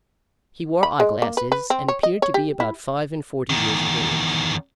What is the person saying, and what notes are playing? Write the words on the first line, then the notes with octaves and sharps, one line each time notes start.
He wore eye-glasses and appeared to be about five and forty years of age.
B5
G#3
A#3
B4
B4
C4
C#5
D#5
C#5
G4
E4
E2 D#3